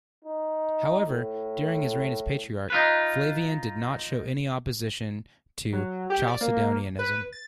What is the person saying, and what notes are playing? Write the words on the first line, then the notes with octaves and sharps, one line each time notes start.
However, during his reign as patriarch, Flavian did not show any opposition to Chalcedonianism.
D#4
A2
D#4 F4 B4
F#3
G4
D5
A#3
B4
A6